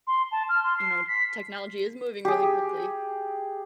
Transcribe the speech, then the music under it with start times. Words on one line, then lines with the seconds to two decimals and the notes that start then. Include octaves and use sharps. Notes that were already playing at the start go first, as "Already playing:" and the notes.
you know, technology is moving really quickly.
0.07 C6
0.32 A5
0.49 F6
0.64 C6
0.78 C7
1.08 B6
2.25 G4 G#4